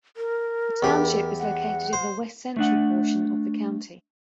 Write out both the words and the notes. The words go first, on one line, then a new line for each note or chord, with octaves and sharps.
The township is located in the west central portion of the county.
A#4
E2 G4
F#5
C5
A3 D4 F#5